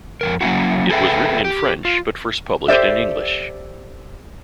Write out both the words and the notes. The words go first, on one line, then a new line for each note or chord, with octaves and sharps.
It was written in French, but first published in English.
F2 D#3 A#4
F#3 A#3 C#4 E4 F#4
G#4 A4 B4 C5 E5 G5
G4
F4
G4 A4 C5 D5 E5